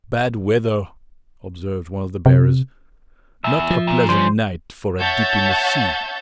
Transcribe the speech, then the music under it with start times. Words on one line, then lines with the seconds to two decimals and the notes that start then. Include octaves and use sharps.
"Bad weather!" observed one of the bearers; "not a pleasant night for a dip in the sea."
2.26 C3
3.44 E2 E5
3.70 F3
3.87 A#2
4.09 D3 C#4 C5
4.99 C#5 E5 F#5 A5 G6 A6